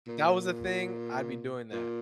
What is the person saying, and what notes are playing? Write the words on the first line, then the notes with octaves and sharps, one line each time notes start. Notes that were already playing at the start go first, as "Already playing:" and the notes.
if that was a thing, I'd be doing that,
A#2
A#2